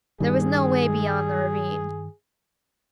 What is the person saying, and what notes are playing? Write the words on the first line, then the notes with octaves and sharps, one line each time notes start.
There was no way beyond the ravine.
G2 D#3 G3 G#4